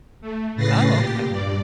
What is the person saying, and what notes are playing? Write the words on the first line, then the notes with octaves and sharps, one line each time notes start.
Oh, okay.
A3
A2 C#3 B4 A6 A#6 C7
A#2 G4
G2 D5